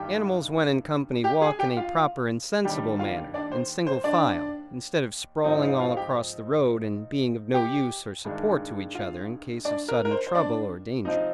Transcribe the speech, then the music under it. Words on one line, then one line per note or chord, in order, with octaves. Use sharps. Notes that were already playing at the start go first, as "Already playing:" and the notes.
Animals when in company walk in a proper and sensible manner, in single file, instead of sprawling all across the road and being of no use or support to each other in case of sudden trouble or danger.
Already playing: G2 D#3 G3 D4 G4 G5
G4 G5
G#4 G#5
G4 G5
F4 F5
D#2 D#3 G3 D4 G4 G5
F4 F5
D4 D5
C5
C5
D4 D5
G#2 F3 C4 D#4 D#5
F4 F5
F4 F5
G4 G5
G4 G5
G2 D#3 G#3 D4
F4 F5
D4 D5
A#4
A#4
C5
C5
D4 D5
C3 F3 C4 D#4 D#5